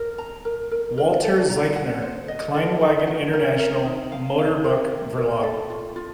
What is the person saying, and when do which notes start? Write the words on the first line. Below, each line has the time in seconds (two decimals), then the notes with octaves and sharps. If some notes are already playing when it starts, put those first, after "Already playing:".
Walter Zeichner: Kleinwagen International, Motorbuch-Verlag.
Already playing: A#4
0.18 A#5
0.45 A#4
0.71 A#4
0.98 A#4
1.23 A4
1.50 A#5
1.76 F#5
2.02 C5
2.28 D#5
2.54 A4
2.81 F4
3.07 F#5
3.33 A#4
3.59 A#4
3.85 D#4
4.12 F5
4.39 F5
4.64 A#4
4.91 A#4
5.17 A#4
5.43 A4
5.70 F4
5.96 F4